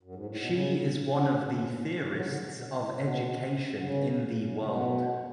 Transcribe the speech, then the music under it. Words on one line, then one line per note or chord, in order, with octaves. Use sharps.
She is one of the theorists of education in the world.
F#2
G#2
A2
B2
C#3
D3
C#3
B2
B2
A2
C#3
F#3
C#3
D3
B2
B2
A2
B2
D3
C#3
C#3
B2